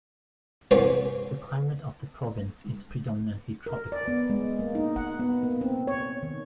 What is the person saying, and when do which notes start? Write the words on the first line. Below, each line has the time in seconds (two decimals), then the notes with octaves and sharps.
The climate of the province is predominantly tropical.
0.71 E2 C3 A#3 B3 C#4
3.66 A#4
3.92 D5
4.08 B3
4.30 G#3
4.59 A#3
4.75 D#4
4.96 F#5
5.20 B3
5.43 A#3
5.61 C4
5.87 C#5
6.23 D#3